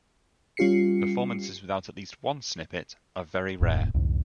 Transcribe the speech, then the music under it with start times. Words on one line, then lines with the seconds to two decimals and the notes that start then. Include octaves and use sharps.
Performances without at least one snippet are very rare.
0.57 G3 C#4 F4 G4 C7 C#7
3.60 D1 F2 A2
3.94 C2 F2 G#2 D3